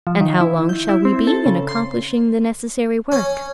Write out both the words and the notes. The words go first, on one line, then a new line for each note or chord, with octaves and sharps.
"And how long shall we be in accomplishing the necessary work?"
F3
D#3
E4
G6
E4
C4
A4
C#3
C6
C#4